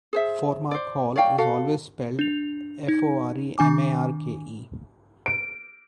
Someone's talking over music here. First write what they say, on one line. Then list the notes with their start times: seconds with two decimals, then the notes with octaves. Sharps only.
Foremarke Hall - is always spelled "Foremarke".
0.13 G#4 C5 E5
0.71 C5 D5
1.16 C#5 D5 F5 G5
1.38 F#4 A4 F5
2.19 D4 F7
2.88 D#4
3.58 D#3 D4 G#5 D6
5.26 D7